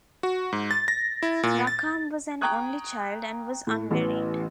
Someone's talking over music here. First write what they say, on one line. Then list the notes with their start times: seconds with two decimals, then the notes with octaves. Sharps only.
Rackham was an only child, and was unmarried.
0.23 F#4
0.52 G#2
0.71 A6
0.88 A#6
1.23 E4
1.43 A#2
1.67 A6
2.41 G5 A#5 C#6 D#6 F#6 G#6
3.67 A2
3.91 A1 E3 B3